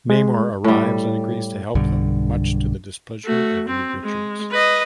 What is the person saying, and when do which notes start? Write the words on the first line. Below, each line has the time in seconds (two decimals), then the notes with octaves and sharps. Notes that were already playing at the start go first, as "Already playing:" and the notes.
Namor arrives and agrees to help them much to the displeasure of Reed Richards.
0.10 G#3
0.64 A2 G3
1.75 B1 G2 D3
3.25 A3 F#4
3.68 C4
4.03 G#3
4.51 B4 D#5